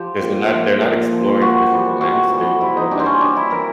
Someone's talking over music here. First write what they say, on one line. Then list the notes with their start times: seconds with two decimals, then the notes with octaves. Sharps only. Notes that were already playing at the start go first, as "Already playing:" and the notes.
'cause they're not they're not exploring physical landscapes or, like,
Already playing: F3 G4
0.22 A#2
0.52 F3
0.82 A#2
1.12 F3
1.41 C3 F#4
1.72 E3 G3
2.01 C3 F#4
2.31 E3 G3
2.61 C3 E4
2.77 D#4
2.91 E3 G3 D4
3.00 C4
3.06 C#4
3.21 C3 D4
3.37 E4
3.51 E3 G3 A#4